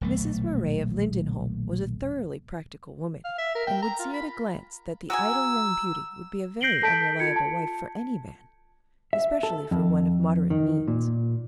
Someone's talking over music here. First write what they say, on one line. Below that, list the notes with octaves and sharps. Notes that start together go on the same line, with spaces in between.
Mrs. Moray of Lindenholm was a thoroughly practical woman, and would see at a glance that the idle young beauty would be a very unreliable wife for any man, especially for one of moderate means.
D#1 B1 A3
F5
E5
A#4
G5
A#5
F4
B5
F#4 G#4 G#5 A#5 E6
G6 A#6 C7 D7 F#7 G7
A4 A5 G6 B6 D7
F4 G#6 C#7
A5
E5
A4
F2
D#3
A#2